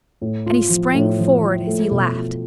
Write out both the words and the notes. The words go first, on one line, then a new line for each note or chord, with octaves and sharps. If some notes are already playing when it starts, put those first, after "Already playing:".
And he sprang forward as he laughed.
A2
F4
F3
A2
F3
F3
A3
B2
F4